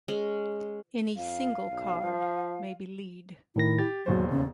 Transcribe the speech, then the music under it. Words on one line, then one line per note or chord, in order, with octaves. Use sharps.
Any single card may be lead.
G#3 C#4
F2 F5
B1
F3
A2 D#3 E4 A#6
G4 A6
E1 D#2 F#3 C5
C#3